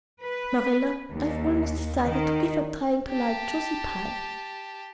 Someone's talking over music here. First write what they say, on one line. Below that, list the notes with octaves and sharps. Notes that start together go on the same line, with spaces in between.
Marilla, I've almost decided to give up trying to like Josie Pye.
B4
D#2
D#3
G4 A5